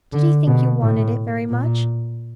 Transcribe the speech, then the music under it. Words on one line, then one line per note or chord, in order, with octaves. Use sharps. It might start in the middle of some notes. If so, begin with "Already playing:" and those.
'Did he think you wanted it very much?'
D3
B2
A2
A#2